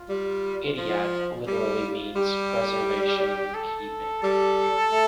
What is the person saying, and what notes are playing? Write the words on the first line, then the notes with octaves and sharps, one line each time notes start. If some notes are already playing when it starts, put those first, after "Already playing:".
Ihtiyat literally means preservation and keeping.
Already playing: F4
G3
F3
G3 F4
G3 G4
A4
G3 A4
A3